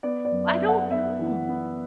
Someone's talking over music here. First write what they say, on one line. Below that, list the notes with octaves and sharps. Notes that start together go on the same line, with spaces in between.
I don't know,
B3 D5
D5
F#2
E5
B3
F#5
B3 E5
E3
B3